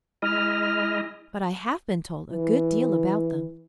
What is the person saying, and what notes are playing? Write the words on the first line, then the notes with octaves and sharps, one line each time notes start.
"But I have been told a good deal about them."
G#3 E4 D#5 F6
E3